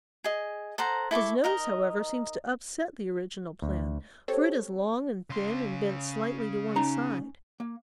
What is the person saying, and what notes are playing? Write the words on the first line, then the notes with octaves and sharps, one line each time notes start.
His nose, however, seems to upset the original plan, for it is long and thin and bent slightly to one side.
G#4 D#5
A4 C5 F#5 A#5
E4 A4 C#6 D6
D#4 A#4 D#5
D2
C4 G4 A4 C#5
C#3 C6
C#4 D#4 A#5
A#3